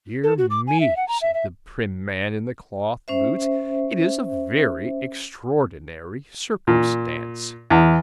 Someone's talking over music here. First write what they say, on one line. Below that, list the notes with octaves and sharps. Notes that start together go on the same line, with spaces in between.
'Dear me,' said the prim man in the cloth boots, 'it is a very extraordinary circumstance.'
A4
F#4
D6
G#5
E5
F#5
A#5
E5
E5
C#4 C5 E5
A#2
E2